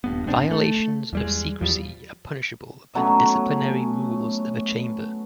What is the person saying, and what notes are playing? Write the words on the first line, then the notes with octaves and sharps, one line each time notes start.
Violations of secrecy are punishable by the disciplinary rules of a chamber.
D#1 G2 B3
G#1 B3 C4 D4
A3
E2 G3 G#3
E2 F3 G3
F#3 A3 B3 C#4